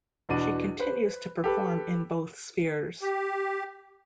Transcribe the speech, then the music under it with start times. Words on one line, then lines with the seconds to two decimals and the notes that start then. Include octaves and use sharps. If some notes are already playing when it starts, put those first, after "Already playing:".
She continues to perform in both spheres.
0.29 E2 B2 D4 F#4 D#7
0.79 B4 C5
1.44 G4 A4 B4
3.01 G4